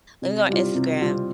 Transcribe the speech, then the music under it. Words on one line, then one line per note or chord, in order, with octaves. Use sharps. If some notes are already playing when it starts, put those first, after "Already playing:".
Lemme go on Instagram."
C3
G3 C4 F4
C3
G3 C4 F4